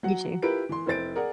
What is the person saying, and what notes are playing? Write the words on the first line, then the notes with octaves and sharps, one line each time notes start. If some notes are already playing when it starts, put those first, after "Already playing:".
You too.
F#3 F#5
E4 F4 G4 A#4 B4 D7
E3 C6
F1 E4 C5 A6 D7
G#4 A#4 D5 F#5